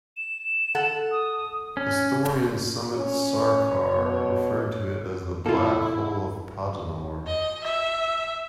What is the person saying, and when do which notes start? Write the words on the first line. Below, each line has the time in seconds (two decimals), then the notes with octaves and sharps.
Historian Sumit Sarkar referred to it as the "Black Hole of Podanur".
0.17 E7
0.75 A4 F#5
1.12 D#6
1.77 C#4
2.97 C#4 C#5
3.95 B2
5.46 E2 C3 A#3 E4 F4 A4
7.27 D#5
7.64 E5